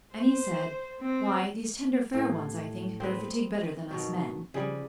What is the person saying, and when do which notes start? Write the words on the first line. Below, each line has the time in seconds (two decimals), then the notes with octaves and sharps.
And he said, Why, these tender fair ones, I think, bear fatigue better than us men.
0.15 C5
1.01 C4
2.14 A2 E4 G4
3.00 C4 G#4 B4
3.91 B2 D#3 F#3
4.54 C#3 F3 G3 G#4